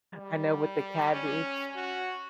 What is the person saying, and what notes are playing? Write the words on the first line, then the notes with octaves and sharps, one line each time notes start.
I know with the cabbage,
G3
C#4
F#4